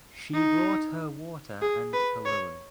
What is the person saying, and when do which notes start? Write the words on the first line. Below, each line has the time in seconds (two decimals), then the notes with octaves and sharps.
She brought her water and cologne.
0.34 D#4
1.62 G#4
1.93 B4
2.25 C#5